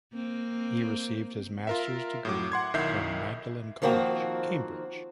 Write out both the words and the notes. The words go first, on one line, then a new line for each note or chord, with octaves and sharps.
He received his Master's degree from Magdalene College, Cambridge.
A#3 C4
F4 A#4 E5
A2 F#3 D6
F#5 C6 G#6
B1 D#3 E4 E5 G6 C7
D#3 F3 A#3 C4 F#4